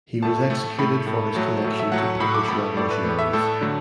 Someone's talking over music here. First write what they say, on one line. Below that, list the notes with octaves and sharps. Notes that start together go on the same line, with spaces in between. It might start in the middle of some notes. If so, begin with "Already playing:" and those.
He was executed for his connection to Polish revolutionaries.
A2 A3 A5
A2 A3
A2 A3 B5
A2 A3
A2 F#3 A3
A2 F#3 A3
E5
A2 F#3 A3 F#5
A2 F#3 A3 B5
D6
A2 A3 B5
A2 A3 D5
B4
A2 A3
E5
A2 A3 A4
D3 F#3 A3